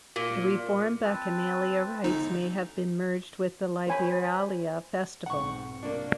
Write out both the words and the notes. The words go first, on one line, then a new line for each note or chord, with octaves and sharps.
The reformed Bacchanalia rites may have been merged with the Liberalia festival.
A#2
C4 B4 A5
G1 D#4
C5 C#5 G#5 B5
B1 G#2 C4 F#5 C#6
C2 A#3 D4